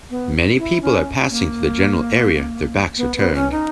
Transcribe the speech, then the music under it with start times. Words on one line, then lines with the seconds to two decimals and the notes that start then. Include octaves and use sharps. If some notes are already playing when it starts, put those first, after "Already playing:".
Many people are passing through the general area their backs are turned.
0.10 B3
0.58 E4
0.82 C#4
1.30 A#3
2.97 B3
3.16 B3
3.34 C#4
3.51 D#4